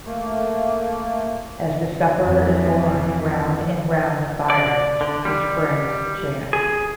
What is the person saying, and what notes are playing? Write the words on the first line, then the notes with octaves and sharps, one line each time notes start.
As the sufferer is borne round and round the fire, his friends chant.
A3 A#3
F2 E3 F3
D5
D3
G3
G#4